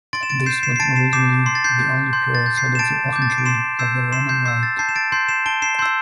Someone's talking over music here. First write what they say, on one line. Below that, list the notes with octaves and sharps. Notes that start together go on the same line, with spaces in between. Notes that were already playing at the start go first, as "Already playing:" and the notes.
This was originally the only prayer said at the offertory of the Roman Rite.
C6 A6 D7
E7
A6 D7
G6 C7 E7
C7 E7
C7
A5 A6 D7
C7 E7
D6 G6 C7 E7
C6 C7
A6
G6 C7
G6
C6 G6
A6
G6
G6 C7
E7
A5 A6 D7
D6 G6
A6
C7
D7
C6 C7 E7
E6 G6 C7 E7
C6 C7 E7
G6 C7
E6 G6 C7
A6
A5 G6 C7
E7
A6 D7
C6 G6 C7
C7 E7
A5 D7 G7
C7 E7
C6 E6 G6 C7